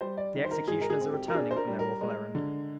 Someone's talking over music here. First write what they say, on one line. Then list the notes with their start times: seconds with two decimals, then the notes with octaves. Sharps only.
The executioners are returning, from their awful errand.
0.01 G3 C5
0.17 D5
0.34 D#3
0.44 C5
0.51 A#4
0.68 G#2 G#4
0.81 A#4
0.90 G#4
1.01 C4
1.12 G4
1.28 A#4
1.34 D4 G#4
1.51 C5
1.56 A#4
1.68 G3
1.79 A#4
2.01 G#3
2.35 D3